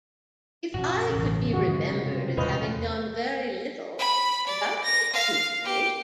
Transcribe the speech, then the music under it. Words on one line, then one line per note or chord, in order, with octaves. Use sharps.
If I could be remembered as having done very little, that would suit me.
G2 B2 F3 C#4 F#4
A1 E2 C#3
F#2 D#3 G#3 F#4
C3 G3
E2 A#2 G#3 C#4 F4 B4 C5 D#5
B5
D5
A#6
F5
G4